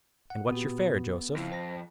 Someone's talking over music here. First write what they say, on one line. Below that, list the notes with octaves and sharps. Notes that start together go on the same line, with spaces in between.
"And what's your fare, Joseph?"
F#5
A#2 B3 F#4 G4
F2 C#3 E4
C5 A5 A#6